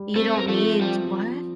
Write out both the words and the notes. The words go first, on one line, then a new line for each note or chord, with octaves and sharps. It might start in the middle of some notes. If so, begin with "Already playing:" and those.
you don't need what?
Already playing: G3
A3 C4 A4
A#4
F3 A3 A4
F3 G3 G4